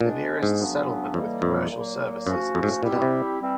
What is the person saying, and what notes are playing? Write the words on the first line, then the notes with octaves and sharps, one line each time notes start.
The nearest settlement with commercial services is Tongue.
A#2 G#3 B3 D4
G#2
F#2 C#3 F#3 B3 D4
F2 A2 E3 G3 A#3 D#4
F2
A#2 F#3 A#3
F#2 F3 A3 C#4 F#4
F2
G#2
A2
A#2 G3 C4 E4 G4
B2
C3
E3 G3 C4